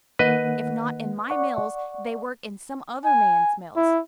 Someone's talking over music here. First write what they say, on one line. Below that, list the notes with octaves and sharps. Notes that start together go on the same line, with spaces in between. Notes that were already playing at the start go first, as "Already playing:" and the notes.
If not in my mills, they work in some other man's mills.
D#3 A#3 B4 D#5 F#5
D5 F#5 C#6
G#5
E4